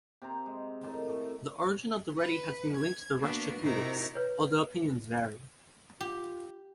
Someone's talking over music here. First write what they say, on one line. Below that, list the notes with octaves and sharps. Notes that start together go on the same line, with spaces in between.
The origin of the Reddy has been linked to the Rashtrakutas, although opinions vary.
C3 C4 A#5
G#3
A2 D#3 A5
A2 A3
B4
G#6
A#3 B3 D4 F#4 B4
C3 D#4 E4 F#4 A#4
B4 C#5
F4 G4